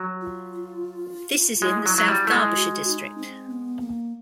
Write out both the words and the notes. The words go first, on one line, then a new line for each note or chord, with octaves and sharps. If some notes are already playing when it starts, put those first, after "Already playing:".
This is in the South Derbyshire district.
Already playing: F#3
F4
G#3 E4
F#3
F#3
G3
A3
G#3
F#4
D#4
C4
B3
A#3